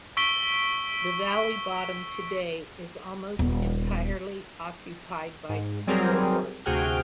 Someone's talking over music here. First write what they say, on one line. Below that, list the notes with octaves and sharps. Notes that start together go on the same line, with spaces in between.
The valley bottom today is almost entirely occupied by steel works.
C#6 E6 B6 D7 G7
D#1 B3
G#2
F#3 G3 C4 G#4 A#4
D2 C3 F#4 G#4 G5 F6